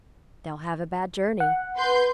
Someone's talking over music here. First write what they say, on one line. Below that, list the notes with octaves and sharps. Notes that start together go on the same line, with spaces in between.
'They'll have a bad journey.'
F#5
B4 C6 G6